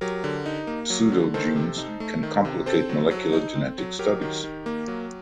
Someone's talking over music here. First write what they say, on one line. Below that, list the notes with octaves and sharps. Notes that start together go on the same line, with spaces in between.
Pseudogenes can complicate molecular genetic studies.
F#3 G4 A#4
D3
D#4
A#3
F#3
D3
D#3 A4 C5
C3
D#4
A3
D#3
C3
C4 A4 C5
F#3
F#3
D#4
C4
F#3
F#3 G4 A#4
D#3
D#3
A#3
F#3